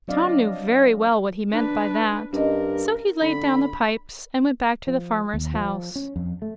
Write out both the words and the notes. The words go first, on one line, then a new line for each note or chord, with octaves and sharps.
Tom knew very well what he meant by that, so he laid down the pipes, and went back to the farmer's house.
F#3 C4 D4 D5 D#5 F5
D4 B4
G2 C#4 A#4 D#5
D3 B5
F3
D#2
F3
C#4
F2
A3